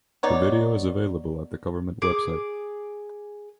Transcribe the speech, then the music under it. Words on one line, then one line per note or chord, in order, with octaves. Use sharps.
The video is available at the government website.
B3 D#4 C#5 D5
G#4 D6